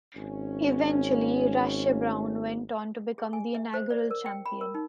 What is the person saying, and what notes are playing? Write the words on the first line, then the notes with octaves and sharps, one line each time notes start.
Eventually, Rasche Brown went on to become the inaugural champion.
G#1 C#4
G#4
G#5
E5
C5
D5
A#4
G5
B5
A#4
D#4